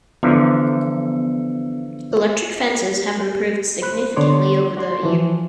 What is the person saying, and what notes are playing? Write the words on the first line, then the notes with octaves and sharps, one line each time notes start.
Electric fences have improved significantly over the years.
D3 E3 F3 B3
C5 B5 F#6
D3 B3 C#5 D5 C6 D6
F#4 D5 C6
E3 F3